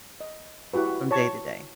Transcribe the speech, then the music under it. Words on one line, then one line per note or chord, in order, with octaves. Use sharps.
from day to day.
D#5
E4 F#4 G4 B4
C#5 A5 C#6